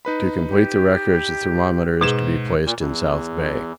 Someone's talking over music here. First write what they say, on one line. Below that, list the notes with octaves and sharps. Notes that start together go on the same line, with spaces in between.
To complete the records a thermometer is to be placed in South Bay.
D#4 B4 B5
G4
G#2 B2 G#4 E7
A#2
E2